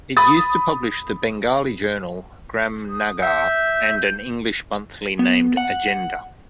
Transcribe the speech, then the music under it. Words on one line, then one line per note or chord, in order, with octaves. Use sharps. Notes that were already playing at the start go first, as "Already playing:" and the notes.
It used to publish the Bengali journal Gram-Nagar and an English monthly named Agenda.
B5 D#6 A6
D#6
E5 G6
B3
F#5